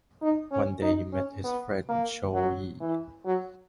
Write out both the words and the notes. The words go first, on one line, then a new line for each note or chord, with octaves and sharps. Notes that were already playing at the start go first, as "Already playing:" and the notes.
One day he met his friend Cho Yee.
D#4
C#4
D#4
C#4
B3
A#3
F#3
E3
F#3